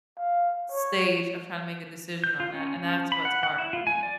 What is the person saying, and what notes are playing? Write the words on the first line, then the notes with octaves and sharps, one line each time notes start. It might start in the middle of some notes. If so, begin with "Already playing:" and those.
stage of trying to make a decision on that, and that's what's hard for me.
F5
C#5
G6
F4
C#4
C#4
B5
F#5
F#5
E4
F4
G#5
D5